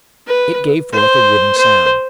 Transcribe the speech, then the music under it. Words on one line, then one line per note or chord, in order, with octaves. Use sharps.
It gave forth a wooden sound.
B4
C5
C5